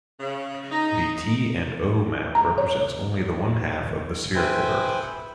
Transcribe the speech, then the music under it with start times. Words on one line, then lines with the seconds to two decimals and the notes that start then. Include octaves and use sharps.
The T and O map represents only the one half of the spherical Earth.
0.20 C#3
0.72 D#4
2.35 A#5
2.58 C#5
4.35 B4 C5 E5 G5 G#5